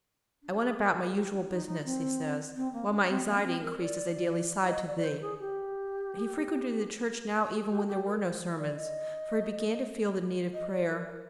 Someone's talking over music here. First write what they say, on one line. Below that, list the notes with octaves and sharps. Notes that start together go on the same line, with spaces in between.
"I went about my usual business," he says, "while my anxiety increased as I daily sighed to Thee." He frequented the Church now even when there were no sermons, for he began to feel the need of prayer.
D4
G#4
A#4
G#4
G4
D4
D#4
D#4
C4
C4
A#3
D4
C4
A#3
D4
C4
A#4
D5
D#5
D5
D5
C5
G#4
G4
G#4
G4
G4
A#4
C5
D5
D#5
D#5
D5
A#4
A#4